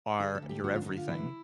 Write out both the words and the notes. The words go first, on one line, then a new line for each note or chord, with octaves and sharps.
are your everything.
D3 G#4
A4
D2
G4
D3 F#4
F4
D4
D3 D#4
F4
E3 E4